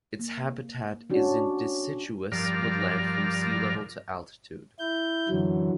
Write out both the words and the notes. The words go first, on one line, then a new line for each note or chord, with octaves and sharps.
Its habitat is in deciduous woodland from sea level to altitude.
A#3
C#4 D4 F#4
G2 F3 A#4 D5 F6
E4 G6
F#2 D3 E3 F#3